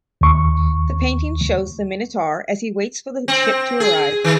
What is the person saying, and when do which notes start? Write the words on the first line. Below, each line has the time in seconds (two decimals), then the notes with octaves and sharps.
The painting shows the Minotaur as he waits for the ship to arrive.
0.21 D#2 C#6
3.28 C4
3.80 G#4
4.24 D#3